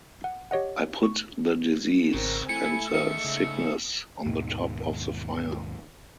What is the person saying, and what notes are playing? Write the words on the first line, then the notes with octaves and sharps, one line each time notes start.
I put the disease and the sickness on the top of the fire.
F#5
G4 C#5 D#5 F#5
C#6
G#1 C#3 C4 A#4
A3 E4 G#5 C#7
D#3 A3 D#4 G#4 E5 C#7
C#3
D#2 G#2 B2 D#3